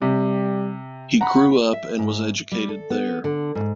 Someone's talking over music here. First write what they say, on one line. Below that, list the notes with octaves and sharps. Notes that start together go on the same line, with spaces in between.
He grew up and was educated there.
C3 G3
F#5 A#5 B5
E5
G#2
G3
A4
B3
D3
G#2